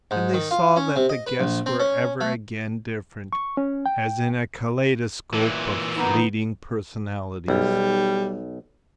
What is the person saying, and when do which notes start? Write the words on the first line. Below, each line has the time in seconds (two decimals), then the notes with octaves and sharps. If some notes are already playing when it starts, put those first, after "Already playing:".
And they saw that the guests were ever again different, as in a kaleidoscope of fleeting personalities.
0.11 G#2
0.34 D#3
0.51 F4
0.76 C#4
0.96 C3
1.09 D#5
1.27 B4
1.40 A#1
1.66 C4
1.80 C#4
2.21 A3
3.33 C#6
3.57 C#4
3.86 G5
5.33 A#2 E3
5.96 B3 D#4
7.48 B1 G3